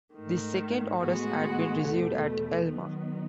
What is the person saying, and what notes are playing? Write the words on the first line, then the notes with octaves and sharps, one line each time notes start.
These second orders had been received at Elma.
G#2 D#3 A3
A2 G#3 B3 F#4
E2 B2 A3
D#3 F#3 B3